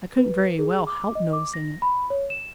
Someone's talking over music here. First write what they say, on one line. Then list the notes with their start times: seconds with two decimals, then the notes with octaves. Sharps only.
"I couldn't very well help noticing it."
0.18 B4
0.59 G#4
0.87 D6
1.15 D#5
1.33 D6
1.54 A#6
1.82 B5
2.10 C#5
2.30 E7